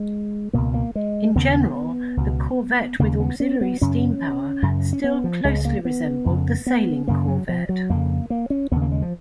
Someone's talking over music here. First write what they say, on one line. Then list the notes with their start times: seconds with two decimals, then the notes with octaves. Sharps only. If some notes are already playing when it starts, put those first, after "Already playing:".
In general the corvette with auxiliary steam power still closely resembled the sailing corvette.
Already playing: G#3
0.53 C#2 B2 A#3
0.74 A#3
0.95 G#3
1.36 D#2 C#3 B3
2.17 C#2 B2
2.99 D#2 C#3 A#3
3.20 B3
3.40 C#4
3.61 B3
3.81 F#2 C#3 C#4
4.62 F#2 C#3
4.93 C#4
5.04 B3
5.24 F3
5.44 C#2 C#3 G#3
5.65 A#3
5.85 B3
6.26 F2 C#3
6.66 B3
7.08 F#2 C#3 A#3
7.28 F#3
7.49 F3
7.69 F#3
7.90 F2 C#3 A#3
8.30 A#3
8.50 C#4
8.72 D#2 C#3 B3
8.82 A#3
8.92 G#3
9.02 F3